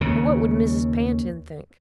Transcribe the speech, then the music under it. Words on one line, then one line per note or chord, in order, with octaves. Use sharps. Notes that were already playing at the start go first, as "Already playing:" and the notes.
And what would Mrs. Pantin think?
D#2 C#3